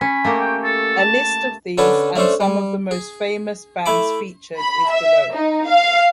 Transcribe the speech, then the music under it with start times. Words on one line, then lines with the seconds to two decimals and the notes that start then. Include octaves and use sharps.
A list of these and some of the most famous bands featured is below.
0.01 C#4 B5
0.24 A3 A#3 G4
0.40 G5
0.64 A4
0.99 A5
1.78 D3 C#4 D4 A4 B4 G#5
2.16 A3 C#4 D4 A4 C5
2.40 G3
2.91 G#4
3.86 A3 E4 B5 D6
4.59 B5
4.90 E5
5.34 D#4
5.68 F5